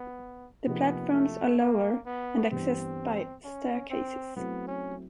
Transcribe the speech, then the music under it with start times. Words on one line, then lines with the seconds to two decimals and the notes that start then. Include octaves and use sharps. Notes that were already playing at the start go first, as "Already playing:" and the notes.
The platforms are lower and accessed by staircases.
Already playing: B3
0.66 C3 F3 A#3 B3 D#4 G4
1.13 A3
1.59 A#3
2.06 B3
2.51 G2 E3 G3 B3 C4
3.44 C#4
3.90 C4
4.36 F#3 A3 B3 C4 E4
4.67 C#4